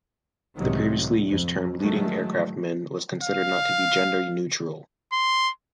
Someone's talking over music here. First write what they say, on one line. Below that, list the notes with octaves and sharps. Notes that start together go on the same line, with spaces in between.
The previously used term "leading aircraftman" was considered not to be gender neutral.
C#2 A2 C3 D#3 F#3
F2
A2 D#3 F#3 G#3 A3
F5
C6